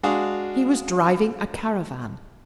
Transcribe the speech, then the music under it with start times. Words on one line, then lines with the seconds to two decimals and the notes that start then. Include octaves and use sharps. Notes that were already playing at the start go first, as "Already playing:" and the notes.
He was driving a caravan.
0.03 G#3 D4 F#4 G#4 F5